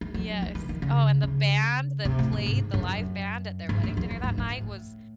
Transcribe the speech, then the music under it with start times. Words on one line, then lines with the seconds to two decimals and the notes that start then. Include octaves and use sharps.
Yes, oh, and the band that played, the live band at their wedding dinner that night, was
0.01 G#3
0.14 F#3
0.42 E3
0.55 D#3
0.69 D#3
0.82 C#3
1.23 C#3
2.05 C3
2.19 A2
2.33 C3
2.46 G#2
2.74 F#2
3.69 G#2
3.83 F#2
3.97 E2
4.11 F#2
4.24 G#2
4.38 A2